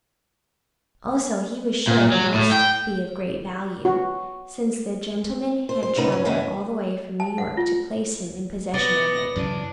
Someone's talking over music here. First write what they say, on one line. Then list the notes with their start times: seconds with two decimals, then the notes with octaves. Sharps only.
Also he was sure it must be of great value, since the gentleman had travelled all the way from New York to place him in possession of it.
1.88 A#2
2.12 F#3
2.34 A2
2.52 G5
3.85 F#4
5.69 C5
5.83 C5
5.96 D2 C#3 D#4 B4
6.12 G2 C#4
6.25 F#2 C#3 E3 G#3 B3 E4
7.20 A5
7.38 F#5
7.57 F4
8.74 B2 B3 D5 A#6
9.36 F#2 C#3 E3 D4